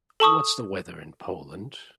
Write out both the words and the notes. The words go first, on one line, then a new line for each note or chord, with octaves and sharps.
What's the weather in Poland?
A4 A5 C#6 D#6